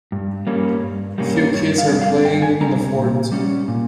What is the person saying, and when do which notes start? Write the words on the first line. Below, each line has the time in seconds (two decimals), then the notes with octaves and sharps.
A few kids are playing in a fort.
0.12 G2
0.47 G3 A#3 C#4
0.83 G2
1.18 G3 A#3 C#4
1.54 G2 C#5
1.78 F5
1.89 G3 C4
2.02 F5
2.25 G2 G5
2.42 G#5
2.61 G3 C4 A#5
2.96 A#2
3.32 G3 C#4
3.68 A#2